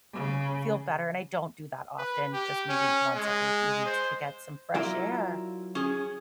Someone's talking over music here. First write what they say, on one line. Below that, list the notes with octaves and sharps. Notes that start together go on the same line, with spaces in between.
feel better and I don't do that often, just maybe once every few weeks to get some fresh air.
C#3
B4
G4
C#4
G#3
C5
F#3 E4 F4 A#4 D5 E5
C#4 G#4